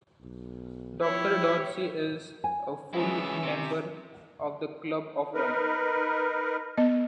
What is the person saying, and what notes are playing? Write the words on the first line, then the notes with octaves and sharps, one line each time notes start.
Doctor Dorsey is a "Full member" of the Club of Rome.
B1
F3 E4 G4 C#5
G#5
E3 G#3 C#4 E4 E5
C3
D#4 A#4 B4
B3 D#5